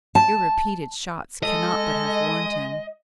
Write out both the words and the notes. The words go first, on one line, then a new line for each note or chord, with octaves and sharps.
Your repeated shots cannot but have warned him.
A5
G#3 A4 D#5